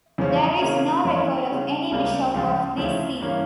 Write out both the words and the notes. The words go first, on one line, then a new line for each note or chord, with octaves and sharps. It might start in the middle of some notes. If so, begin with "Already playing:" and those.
There is no record of any bishop of this see.
E2 C#3 F3 C#4
C#3 E3 A#3 C#4
F2 E3 A#3 C#4
C#3 G3 C#4
C#2 C#3 G3 A#3 C#4
C#2 C#3 F3 C#4 F4
D2 C#3 F3 C#4 E4
G2 E3 A#3 C#4